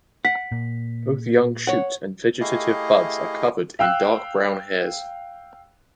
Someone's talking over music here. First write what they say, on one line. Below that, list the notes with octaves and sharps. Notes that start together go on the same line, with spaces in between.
Both young shoots and vegetative buds are covered in dark brown hairs.
F#5 B6
A#2
C#5 F#5
A3 E4 G4 G#4 D#5 F5
F5 G5 E6 F#6